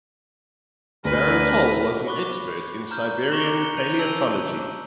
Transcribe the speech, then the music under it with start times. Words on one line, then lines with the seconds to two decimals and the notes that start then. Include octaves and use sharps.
Baron Toll was an expert in Siberian palaeontology.
1.05 D2 D3 A#4 B4
2.07 B5 C#6 D6 F#6
2.91 A#5 F6 G6
3.32 A#5 C#6 D6 F7 G7
3.54 F#6 C#7 G7
3.77 G6 D#7 F7
3.99 A5 E6 D7 F7 F#7